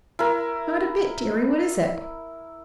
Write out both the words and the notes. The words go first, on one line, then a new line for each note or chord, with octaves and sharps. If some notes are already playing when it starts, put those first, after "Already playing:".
"Not a bit, deary; what is it?"
E4 A#4